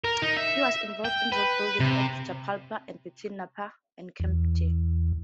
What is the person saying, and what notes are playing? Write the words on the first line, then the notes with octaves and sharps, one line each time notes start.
He was involved in road building at Jabalpur and between Nagpur and Kamptee.
A#4
D#4
E5
G5
B4
C3
E2